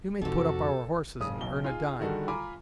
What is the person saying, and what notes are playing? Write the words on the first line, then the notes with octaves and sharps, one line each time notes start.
"You may put up our horses and earn a dime."
F2 C3 F3 D#4 F#4 A4
F#1 C#3 D#6
B1 B2 G7
D#4 F4 G#4 G#5
D3 D#3 G3 F#4 G#4 A4
F4 G#5 A#5 B5 D6